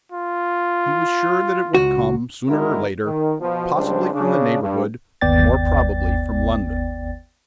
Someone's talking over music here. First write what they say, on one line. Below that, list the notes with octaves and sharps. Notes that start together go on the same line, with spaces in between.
He was sure that it would come sooner or later, possibly from the neighbourhood, more probably from London.
F4
C#2 F#4
G#1 D3 G#3 E4 F#4 A#4
D#3
B2 F3 B3
C#2 G3 D4 C5
C#3 D4
G2
G1 D#2 B3 D5 G5 A6